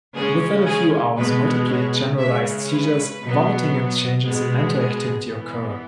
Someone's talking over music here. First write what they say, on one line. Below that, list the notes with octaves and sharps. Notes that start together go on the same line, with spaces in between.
Within a few hours multiple generalized seizures, vomiting, and changes in mental activity occur.
C#3 G#3 C#4 G#4
G#4
B2 G#3 B3 B4
C#5
C#3 G#3 C#4 E5
B4
B2 F#3 B3
B2 G#3 B3
G#4
E3 B3